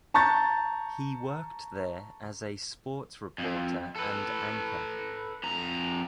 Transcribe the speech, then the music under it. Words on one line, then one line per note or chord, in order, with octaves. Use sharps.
He worked there as a sports reporter and anchor.
A5 A#5 C#6 G6 A6
F2
A4 B4
F2 A#5